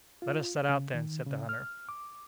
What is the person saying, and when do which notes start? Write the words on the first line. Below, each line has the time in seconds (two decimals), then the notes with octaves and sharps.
"Let us set out, then!" said the hunter.
0.22 F4
0.69 C#3
0.94 D#3
1.26 C#3
1.49 F6
1.89 D6